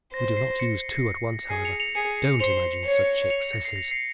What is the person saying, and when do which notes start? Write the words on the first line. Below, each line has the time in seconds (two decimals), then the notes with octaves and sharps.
We do not use two at once however; don't imagine such excesses. . .
0.14 C5 A#6
0.37 C7
0.59 A#6 C#7
1.50 G#4 C7
1.65 C#7 F7
1.80 C#7 F7
1.95 G#4 C#7 F7
2.40 C5 C#7 F7
2.85 C#5
3.30 C#7 F7
3.41 C#7 F7
3.53 A#6 C#7
3.65 C7
3.76 A#6
3.91 C7